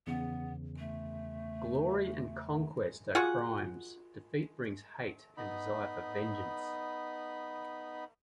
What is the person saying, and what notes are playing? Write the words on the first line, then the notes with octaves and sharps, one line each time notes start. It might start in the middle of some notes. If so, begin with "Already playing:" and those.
Glory and conquest are crimes; defeat brings hate and desire for vengeance.
E2 C#3 B3
A3
F4 F#4 G#4 F#5
B3 D#4 B5